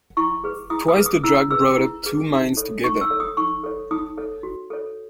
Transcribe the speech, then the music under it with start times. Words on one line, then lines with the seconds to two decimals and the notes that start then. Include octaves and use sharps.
Twice the drag brought up two mines together.
0.17 E4 C#6
0.44 G#4 B4
0.70 E4 D#6
0.88 D#6
0.97 G#4 B4
1.06 D#6
1.24 E4 E6
1.51 G#4 B4 E6
1.78 E4
2.04 G#4 B4
2.31 D#4
2.57 A4 C#5
2.84 D#4 C#6
3.01 E6
3.10 A4 C#5
3.20 D#6
3.37 D#4 C#6
3.64 A4 C#5
3.91 D#4 D#6
4.18 A4 C#5
4.43 F#4
4.70 A4 C#5